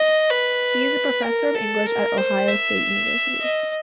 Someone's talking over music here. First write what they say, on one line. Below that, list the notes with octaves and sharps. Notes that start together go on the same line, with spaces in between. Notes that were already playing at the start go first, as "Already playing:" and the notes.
He is professor of English at Idaho State University.
Already playing: D#5
B4
A#4
A4
A#4
C5
E5
D#5